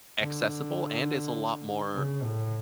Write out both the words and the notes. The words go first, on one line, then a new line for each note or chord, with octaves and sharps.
accessible and is a lot more
D3
C#3
A2